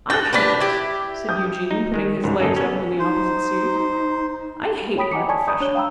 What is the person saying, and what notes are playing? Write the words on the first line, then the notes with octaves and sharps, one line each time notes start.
'I hate,' said Eugene, putting his legs up on the opposite seat, 'I hate my profession.'
G5 F#6 A6 A#6
D4 G4 B4 B5 A#6 B6
E4 G4
D#6 G6
D#4
D#3 G#3
C#2 G#2
F#2 A#3 A4 D#5
B3 C#4
D#4 C5
C#5 G5 B5 D#6 B6 D7
D#5 F#5 G#5 A#5 D6 C#7
D5 G#5 A5 C#6 D#6 G#6
D5 A#5 B5 C#6 D#6 G6
D4 C#5 F#6 G7
F5 G5 A#5 B5 E6